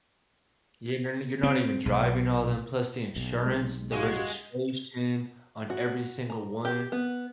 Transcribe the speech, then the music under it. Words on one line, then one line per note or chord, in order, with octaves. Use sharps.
Yeah. You're no you're not even driving all them, plus the insurance, the registration on every single one,
C4
B1
B1
G#3
G#3 F#4 G4 F5 G#6
F#4
A#5
G4
B3